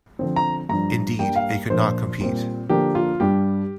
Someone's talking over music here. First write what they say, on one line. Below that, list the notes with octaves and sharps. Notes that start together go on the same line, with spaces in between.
Indeed, it could not compete.
D3 F3 C4
A#5
G2 F3 D4 A#5
G2 G3 A#3 D4 G5
F5
A#2 F3 D4 C5
A#2 G3 C4
D3 F3 A#3 D4 G4
F4
G2 G3 D4 G4